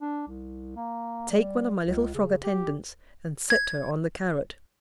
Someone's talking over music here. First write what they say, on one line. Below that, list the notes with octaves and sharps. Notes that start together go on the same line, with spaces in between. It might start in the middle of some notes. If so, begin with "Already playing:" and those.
"Take one of my little frog attendants and set her on the carrot."
D4
C2
A#3
G3
C#2
C#3
G4
G#6